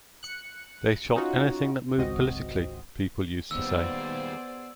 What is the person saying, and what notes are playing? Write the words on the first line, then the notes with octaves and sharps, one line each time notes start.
"They shot anything that moved politically," people used to say.
F#6 C#7
C#4 D#4 F4 F#4
G#1 C#2 C4 F#4 D#5
D#2 G3 B3 G#4 C5 D5 E6